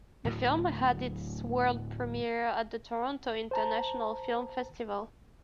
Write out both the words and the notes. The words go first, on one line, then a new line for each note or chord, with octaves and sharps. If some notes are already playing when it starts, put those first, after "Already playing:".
The film had its world premiere at the Toronto International Film Festival.
D1 D2 A2 F#3
C5 A5 A#5